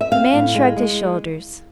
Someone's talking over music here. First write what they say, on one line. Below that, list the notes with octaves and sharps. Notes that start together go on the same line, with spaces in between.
The man shrugged his shoulders.
E5
C4 F5
A2
G#3
G#3